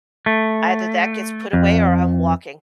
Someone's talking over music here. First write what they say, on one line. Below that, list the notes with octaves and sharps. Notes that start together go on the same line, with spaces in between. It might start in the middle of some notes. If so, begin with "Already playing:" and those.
"Either that gets put away or I'm walking."
A3
F2